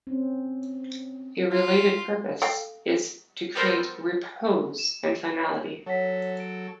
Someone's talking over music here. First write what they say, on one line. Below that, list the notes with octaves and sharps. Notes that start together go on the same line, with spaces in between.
A related purpose is to create "repose" and finality.
C4 C#4
F4
A4 F5 G5
G3 B3 A4 A#4 C5
E7
F#3 A4 C#5 F#5 B6
D7